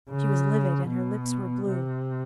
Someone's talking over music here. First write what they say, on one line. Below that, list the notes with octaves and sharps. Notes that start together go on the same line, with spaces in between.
She was livid and her lips were blue.
C#3
B2
C3